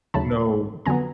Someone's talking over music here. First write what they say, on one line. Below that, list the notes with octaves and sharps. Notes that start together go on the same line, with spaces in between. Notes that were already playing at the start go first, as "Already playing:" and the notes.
you know,
D#2 C#3 F#3 A3 A5 B5
F2 D3 F#3 B3 G#5 A#5